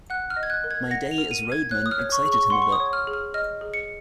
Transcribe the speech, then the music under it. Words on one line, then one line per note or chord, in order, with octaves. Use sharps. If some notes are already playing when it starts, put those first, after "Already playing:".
My day as roadman excited him a bit.
F#5 F#6
F6
D#5
G#6
F#6
A#4
G#6
F#5 A#6
F7
A#4
D#7
A#4
G#6
C#5 F#6
D#6
F6
C#5
C#6
G#4
C#6
F#5 C6
C#6
D#6
C#5
F6
G#4
F6
D#5 F6
G#4
C#7